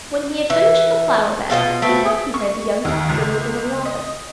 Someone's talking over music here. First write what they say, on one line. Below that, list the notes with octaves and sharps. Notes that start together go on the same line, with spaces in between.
When he had finished the flower bed he thought he heard the young doctor moving in the office.
E3
B2 F4 F#4 D#5
A3 B3 C4
C#6
D#2
C#2
D#5